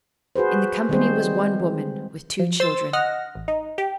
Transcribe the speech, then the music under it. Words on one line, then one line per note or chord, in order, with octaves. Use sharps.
In the company was one woman, with two children.
F#4 G#4 B4 C5
D#3 G3 G#3 C4 G#4 C5
F3
C5 C6 E6 A6
D#5 F#5 F6 A#6
A1
D#4
G4